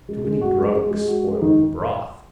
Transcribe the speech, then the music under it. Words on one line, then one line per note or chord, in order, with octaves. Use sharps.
Too many drugs spoil the broth.
G#3
G#3
F#4
G#3
G#3
G#3
F#4
G#3
D#3